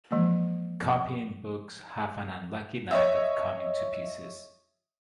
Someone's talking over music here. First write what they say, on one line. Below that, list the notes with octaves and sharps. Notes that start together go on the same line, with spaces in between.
Copying-books have an unlucky knack of coming to pieces.
E3 F3 G#3 A#3
C#5 D#5 E5